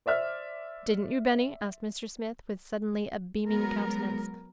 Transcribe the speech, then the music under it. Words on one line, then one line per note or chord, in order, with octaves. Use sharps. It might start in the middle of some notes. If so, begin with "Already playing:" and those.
"Didn't you, Benny?" asked Mr. Smith, with suddenly a beaming countenance.
C5 D5 E5 F6
F#3 G#3 B3 A#4